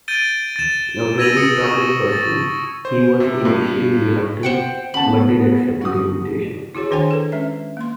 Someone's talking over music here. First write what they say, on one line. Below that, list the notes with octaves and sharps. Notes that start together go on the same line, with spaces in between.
A very private person, he was initially reluctant, but did accept the invitation.
G6 A6 D7 D#7 G7
A6 E7
E6 G#6 A#6 D#7 F7 F#7
D#6 A6 C#7
C#6 D#6 F#7
A6
C5
C3
G2
C5 F#5 G5
C#3 B3 F#5 A5 B5
F#4 D#6
E4 F#4 G#4 C#5
D#3 D4 C5 C#5 G5 G#5
A4 B4
G#3 C#4 E5
A#3 C6